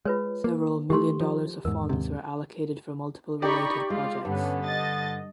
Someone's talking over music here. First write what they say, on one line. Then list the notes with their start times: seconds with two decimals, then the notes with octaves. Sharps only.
Several million dollars of funds were allocated for multiple related projects.
0.05 G#3 F4 B4 C#5
0.44 A#3
0.90 E3 G3 A3 G4 C6
1.20 F3
1.65 E2 G#2 A#4
1.89 D#2 G#2 C3
3.42 D#4 G4 D5 B5 C#6
3.90 G#3 F4
4.25 G2 D3 B3 C#4
4.65 D#5 A6